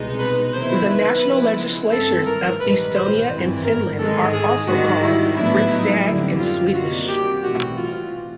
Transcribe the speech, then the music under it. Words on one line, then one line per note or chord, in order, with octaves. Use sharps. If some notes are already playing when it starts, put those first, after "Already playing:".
The national legislatures of Estonia and Finland are also called Riksdag in Swedish.
Already playing: C2 B2 G#3 B3 D#4
B4
D#3 F#3 B3 E4 C5
B4
C#3 F3 G#3 B3 E4
G#1 G2 E3 A3 C4 A4
A#4
A#1 G#2 D#3 G3 B4
C5
G#1 G2 E3 B4
A#4
G#2 D#3 G#3 A4
G#4
G#2 D#3 G3 F#4
E4
A2 F#3 B3 D4 E4
D#4
F#2 D3 G3 C4 E4
F4
C3 D#3 G3 A#3 F#4
G4
B1 A2 E3 G3 C4 F#4
F4